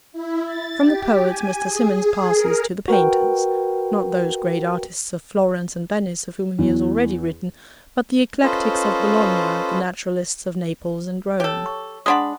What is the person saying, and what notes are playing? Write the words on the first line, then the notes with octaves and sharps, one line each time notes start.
From the poets Mr. Symonds passes to the painters: not those great artists of Florence and Venice of whom he has already written, but the Eclectics of Bologna, the Naturalists of Naples and Rome.
E4
A6
G4
G#5
G#4
G#4
A#4
F#4 A#4 B4 G5
E2
C#4 F4 A4 B4 C5 D#5
G4 A4 C#5
C#6
G#3 D4 F#5 B5 C6 D#6